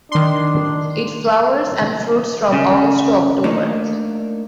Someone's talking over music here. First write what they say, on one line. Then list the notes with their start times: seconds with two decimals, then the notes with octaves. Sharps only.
It flowers and fruits from August to October.
0.12 D#3 D4 C6
2.52 C#3
3.44 A3 A#3 D4 D#4 A4